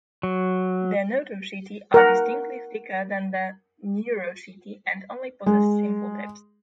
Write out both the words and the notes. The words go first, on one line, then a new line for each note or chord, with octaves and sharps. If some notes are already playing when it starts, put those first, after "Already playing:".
The notochaetae are distinctly thicker than the neurochaetae and only possess simple tips.
F#3
A#4 F#5
G#3